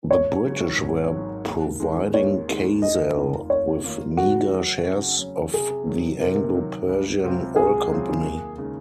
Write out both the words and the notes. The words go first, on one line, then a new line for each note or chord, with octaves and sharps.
The British were providing Khaz'al with meager shares of the Anglo-Persian Oil Company.
G#1 C#5
G#2 F#3
G#1
G#2 F#3
D#2
D#3 G#3 D#4
D#2 C#5
D#3 G#3 D#4
F1 D#5
D#2 D#3 A#3 F4
F1 C#5
D#2 D#3 A#3 F4
C#3 F#4
F#3 C#4
C#3
F#3 C#4
C3 G#4
D#3 F#3
C3 A#4
D#3 F#3
C#2
C3 F#3 C4 F4
C#2 G#4
C3 F#3 C4 F4
D#2
C#3 G#3 D#4